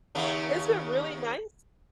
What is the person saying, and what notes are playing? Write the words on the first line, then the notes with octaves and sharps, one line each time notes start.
It's been really nice
D#2 C#3 C#4